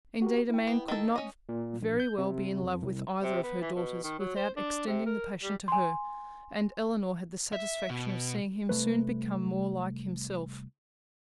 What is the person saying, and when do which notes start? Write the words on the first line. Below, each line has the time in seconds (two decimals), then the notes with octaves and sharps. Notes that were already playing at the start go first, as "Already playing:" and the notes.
Indeed a man could not very well be in love with either of her daughters, without extending the passion to her; and Elinor had the satisfaction of seeing him soon become more like himself.
0.22 F#4 G4 A#4
0.50 E4 G5
0.67 B3
0.88 D#3 A4
1.16 C#4 D#5
1.49 A#2
1.82 A#1
2.00 G6
2.18 C3
2.63 F2
2.82 C2
3.23 C3
3.43 B3
3.61 E3
3.76 B2
4.04 D#3
4.19 F#3
4.36 C5
4.57 D4
4.87 C3
5.06 A#4
5.43 G3
5.68 G#5 C6
7.53 E5
7.90 B2
8.69 C2 B2 A3 B4